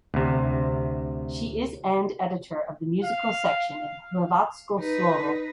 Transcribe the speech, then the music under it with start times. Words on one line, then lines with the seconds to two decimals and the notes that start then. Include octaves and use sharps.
She is and editor of the musical section in "Hrvatsko slovo".
0.14 D2 C3
3.04 F5
4.79 D#4 B4